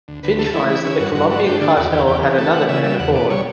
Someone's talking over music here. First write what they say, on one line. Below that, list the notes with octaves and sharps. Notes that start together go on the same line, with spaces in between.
Finch finds that the Colombian cartel had another man aboard.
D2
D2 B4
A3 A4
E3 E4
E3 E4
C#4 E4
G2 F#4
G2 F#4
A3 F#4
D4 G4
D3 A4
E2 F#4
E2 G4
E2 G4
E3
A3 A4
E3 F#5
C#3 E5
G3 E5
E2 F#5
B2 D5
G3 C#5